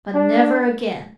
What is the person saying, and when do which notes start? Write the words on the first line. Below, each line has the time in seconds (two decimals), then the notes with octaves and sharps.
But, never again!
0.14 D4